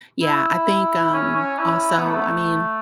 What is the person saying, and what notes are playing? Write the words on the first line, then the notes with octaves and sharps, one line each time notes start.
Yeah, I think, um, also, I mean
E4
C#4
C#4
E4
B3
A3